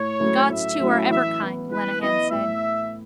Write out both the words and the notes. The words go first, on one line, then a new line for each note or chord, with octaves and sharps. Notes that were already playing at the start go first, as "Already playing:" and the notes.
The gods too are ever kind, Lenehan said.
Already playing: A2 C#5
F#3 A3 C#4 E4
A2 E5
F#3 A3 C#4 E4
E3 E5
B3 E4
E3 B4
B3 E4 D#5
A2 E5